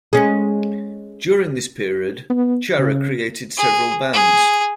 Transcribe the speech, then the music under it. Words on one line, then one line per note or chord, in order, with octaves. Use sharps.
During this period, Chara created several bands.
G#3 C#4
B3
C#3
G#4
G#4